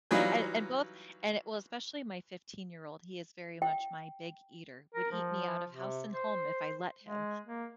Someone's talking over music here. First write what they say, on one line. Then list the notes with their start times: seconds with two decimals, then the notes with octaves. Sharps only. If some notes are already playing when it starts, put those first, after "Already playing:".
and and both and it well, especially my fifteen-year-old, he is very much my big eater, would eat me out of house and home if I let him,
0.11 E3 F#3 G3 D#4 F4
3.62 G5
4.94 A#4
5.11 F3
5.70 C3
6.12 C5
7.03 G#3
7.46 A#3